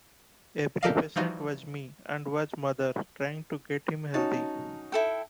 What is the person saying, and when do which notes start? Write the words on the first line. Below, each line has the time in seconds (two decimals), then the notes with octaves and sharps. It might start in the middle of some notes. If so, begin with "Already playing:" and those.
Every patient was me, and was mother, trying to get him healthy.
0.83 G4 A4 A#4 D5 D#5 F5
1.16 E3 F3 G3 D#4 F4 F#4
4.14 C#4 D#4 F#4 A5
4.92 E4 A4 G5